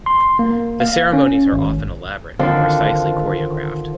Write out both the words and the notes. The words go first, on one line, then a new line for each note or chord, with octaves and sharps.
The ceremonies are often elaborate and precisely choreographed.
C6
A#3
F5
C#4
G#1
D3 D#3 F3 C4 D4